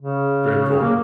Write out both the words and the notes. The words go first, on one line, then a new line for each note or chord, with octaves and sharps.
very cool.
C#3
A#3